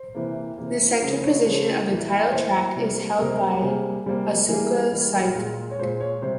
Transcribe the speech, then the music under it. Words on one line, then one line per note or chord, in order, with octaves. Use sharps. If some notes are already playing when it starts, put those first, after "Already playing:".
The center position of the title track is held by Asuka Saito.
Already playing: C5
C3 E3 A#3
C3 E3 A#3
C#3 F3 G#3
C#5
C#3 F3 G#3 C#5
E3 A#3
C#5
E3 A#3 C5
C3 G3 A#3
C3 G3 A#3 A#4
G4
C3 G3 A#3 G#4
C3 G3 A#3
E3 G3 A#3 G#4
E3 G3 A#3 A#4
A#2 G#3
C#5
A#2 G#3 C5
C#5
C3 G3 C5